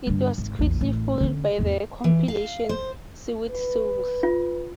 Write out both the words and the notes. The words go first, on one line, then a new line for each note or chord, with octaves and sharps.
It was quickly followed by the compilation "Sewed Soles".
G2 D3
G#1
A#1 E2
A1
D3 C#4
E2 G#2
E3
F5
C5
B4
F4